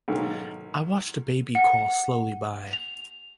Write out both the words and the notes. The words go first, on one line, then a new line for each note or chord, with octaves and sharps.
I watched a baby crawl slowly by.
B1 G#2 D#3 A#3
F#5
F7